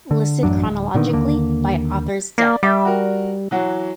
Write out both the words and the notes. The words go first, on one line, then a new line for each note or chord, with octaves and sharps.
Listed chronologically, by authors death.
D3
A1 F#2 F#3 D4
D1
A#2 D3 D#3 B3
D#2 D3 A#3
A#3 D5
G3 E5 G5 D6
F#4 A#4
E3 F#3 F#4